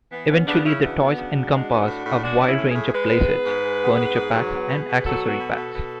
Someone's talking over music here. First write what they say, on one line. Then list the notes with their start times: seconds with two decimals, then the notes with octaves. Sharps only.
Eventually, the toys encompassed a wide range of playsets, furniture packs, and accessory packs.
0.12 E3 B3
0.29 B3 C#4
0.47 C#3 B3 D4
0.65 C#3 C#4 E4
0.82 E3 D4 F#4
1.00 B3
1.18 C#3
1.35 C#3
1.53 G#3
1.71 B3
1.88 A2
2.06 A2
2.23 G#3 D4 F#4
2.41 B3
2.46 C#4 E4
2.58 A2
2.70 E4 G#4
2.76 A2
2.93 G#3 G#4 B4
3.11 B3
3.28 G#2
3.46 G#2
3.64 G#3
3.82 B3
3.99 G#2
4.16 G#2
4.30 A4
4.34 F#3 G#4 B4
4.52 B3
4.69 B2
4.87 B2
5.04 F#3 F#4 A4
5.22 B3
5.28 F#4 A4
5.40 B2
5.51 F#4 A4
5.58 B2
5.75 B2